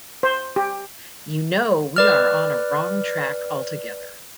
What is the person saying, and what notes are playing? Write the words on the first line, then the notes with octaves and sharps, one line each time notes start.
You know we are on a wrong track altogether.
C5
G4
B4 D5 F6